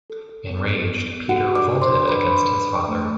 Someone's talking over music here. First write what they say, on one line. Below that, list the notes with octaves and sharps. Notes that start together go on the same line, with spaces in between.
Enraged, Peter revolted against his father.
A4
A4
B3
B3
B3
B3
F#4 A4 F#5
D4
D5 D6
A4
C5 C6
D4
D4 B4 B5
D4
D4
D4
A3